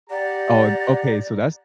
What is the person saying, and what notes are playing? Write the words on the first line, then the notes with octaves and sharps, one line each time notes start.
Oh, an okay, so that's
G4 D5 F#5 A#5